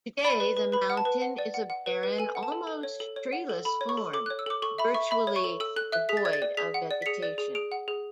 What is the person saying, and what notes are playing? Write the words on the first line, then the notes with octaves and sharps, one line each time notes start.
Today the mountain is a barren, almost treeless form, virtually devoid of vegetation.
D5 B5
B4
B4
B4 B5
F#5
A5
B4
F#5
D5
F#5
F#5
B4
B4
A4 G#5
F#5
A5
A4
A4
C#5
A4
C#5
F#5
A4
A4 B5
C#5
C#6
A4
A4 D6
C#5 F#6
E6
A4 D6
A4 C#6
E5 B5
E5 C#6
E5 B5
C#5
C#6
A4
A4 E6
A4 F#6
E5 F#6
G#4 B6
A6
D5 G#6
A6
D5
G#4 B6
F#5
D5
B6
G#4 C#7
D5
G#4
G#4 D7
F#5
G#4